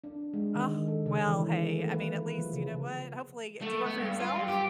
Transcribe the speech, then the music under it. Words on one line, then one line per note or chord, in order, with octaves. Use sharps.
Ugh, well, hey, I mean, at least, you know what? Hopefully Uh, do you work for yourself?
D4
G#3
D#3
A4
C#3
E3
A#3
A3
B4
F3
C#3
A3
B3
G2
F4
G2
G4